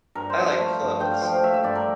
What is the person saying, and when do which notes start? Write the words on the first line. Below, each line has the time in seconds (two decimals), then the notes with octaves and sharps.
I like clothes.
0.15 G2 A#4
0.30 C5
0.37 F3
0.44 F5
0.59 A3
0.80 G2
1.00 G2 G5
1.12 F5
1.21 F3 G5
1.32 F5
1.43 A3 E5
1.54 E5
1.64 G2 D5
1.75 A#4